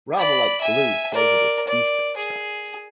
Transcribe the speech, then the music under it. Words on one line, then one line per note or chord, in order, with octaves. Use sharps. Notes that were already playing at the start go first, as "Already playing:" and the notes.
Rather like glue flavoured with beef extract.
D5 B5
E5 G#5
A#4 D5
D5
G#4